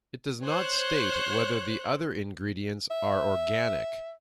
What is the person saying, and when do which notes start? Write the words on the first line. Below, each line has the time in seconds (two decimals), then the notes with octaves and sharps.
It does not state whether the other ingredients are organic.
0.43 C5 C#5 F#6
2.91 E5